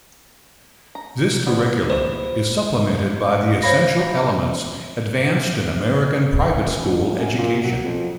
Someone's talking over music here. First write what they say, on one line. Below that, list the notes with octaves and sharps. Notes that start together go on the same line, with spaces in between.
This curriculum is supplemented by the essential elements advanced in American private-school education.
A#5
G3 B3 C4
C5
C5 C#5 F5 B5 A#6
F#2
D2
F#2
A#2
F#3
F2